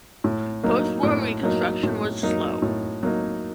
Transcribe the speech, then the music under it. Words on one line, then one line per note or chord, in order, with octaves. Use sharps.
Post-war reconstruction was slow.
A2
F#3 A#3 D#4
A2
F#3 A#3 D#4
A2
F#3 A#3 D#4
A2
F#3 A#3 D#4